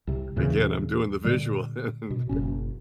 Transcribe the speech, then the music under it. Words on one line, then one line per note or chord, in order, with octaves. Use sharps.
again, I'm doing the visual, and
C2 C3
D#2 A#2 C#3 E3
A#2 D3 G3
B2
F#1 B2 C#4